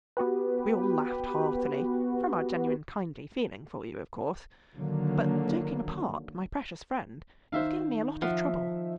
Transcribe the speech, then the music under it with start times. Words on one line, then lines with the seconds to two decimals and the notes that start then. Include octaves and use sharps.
We all laughed heartily--from our genuine kindly feeling for you, of course--but, joking apart, my precious friend, you have given me a lot of trouble.
0.17 B3 F#4 G4 B4
4.75 D3 D#3 F#3 A#3
7.52 D#3 D#4 C5 E5 F5
8.22 F3 E5 F#5